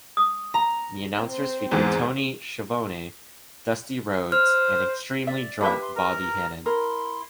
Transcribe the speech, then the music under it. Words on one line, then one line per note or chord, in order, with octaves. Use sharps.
The announcers featured Tony Schiavone, Dusty Rhodes and an extremely drunk Bobby Heenan.
D#6
A#5
C4 C5
E2 G#2
C5 F6
D5 E5
A#3 D4 E4 G4 B4 E5
C6
A#4 A#5
E4 A#4 C6